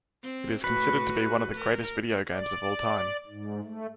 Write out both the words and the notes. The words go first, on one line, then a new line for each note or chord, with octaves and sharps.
It is considered to be one of the greatest video games of all time.
C4
A2 F#4 B4
A#4
D5
G#2
A3